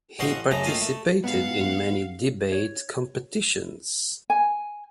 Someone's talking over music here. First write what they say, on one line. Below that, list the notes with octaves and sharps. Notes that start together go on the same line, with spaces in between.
He participated in many debate competitions.
A1 F#4 C5 D#5 F5 C#6
F#2 C#3 A3 D#5 A#5
D#3 A3 A#3 F4 D#6
A3
G#2 B3 F5 F#5
C#5
G#5